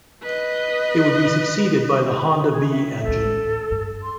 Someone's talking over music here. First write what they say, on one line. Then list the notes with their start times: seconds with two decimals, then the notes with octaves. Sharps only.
It would be succeeded by the Honda B engine.
0.23 B4 D#5
2.49 G#4
2.70 E5
3.04 A1 D2 A4
3.71 G2
4.03 C6